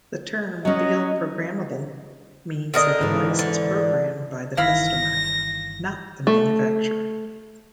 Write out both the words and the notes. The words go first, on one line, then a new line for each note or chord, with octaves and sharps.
The term "field-programmable" means the device is programmed by the customer, not the manufacturer.
F#3 C#4 D#5
D3 A#4 D#5
G#2 E3
D3
G1 D#3 E3 E4 F5 B5 A#6
A3